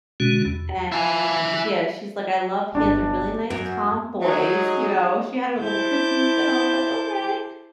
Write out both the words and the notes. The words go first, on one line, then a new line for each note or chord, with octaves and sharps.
and yeah, she's like, "I love he has a really nice calm voice," you know, she had her little critique, and I was like, "Okay,"
B2 D3 G#3 C#4 F#4
E2
E4 G#5
G1 C#3 D4
F#2
F#3 D#4 G#4
E4 C5 A5 D6 G6